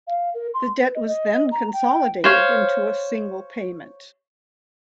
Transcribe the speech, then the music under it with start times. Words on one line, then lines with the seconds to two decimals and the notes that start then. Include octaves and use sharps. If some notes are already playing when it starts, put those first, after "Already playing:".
The debt was then 'consolidated' into a single payment.
0.07 F5
0.34 A#4
0.54 C6
0.80 B4
0.95 D#5
1.08 D#5
1.52 A#5
1.73 G5
2.24 C5 C#5 F5